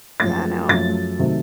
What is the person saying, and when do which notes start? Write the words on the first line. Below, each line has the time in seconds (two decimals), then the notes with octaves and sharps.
Yeah. I know, huh.
0.20 F#2 F3 A3 A6
0.69 F#2 F3 A3 A6
1.19 C3 D#3 F#3 A3